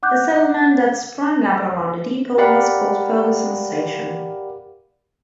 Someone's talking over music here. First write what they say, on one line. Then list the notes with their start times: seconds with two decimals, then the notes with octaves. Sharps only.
The settlement that sprang up around the depot was called Ferguson Station.
0.03 F#5 D6 F#6 G6
2.38 G4 A#4 D5 F5 F#5 B5